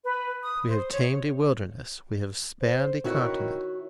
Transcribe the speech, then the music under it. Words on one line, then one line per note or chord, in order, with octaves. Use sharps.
We have tamed a wilderness; we have spanned a continent.
B4
D#6
C5
C#5
C5
D#3 E4 F#4 C#5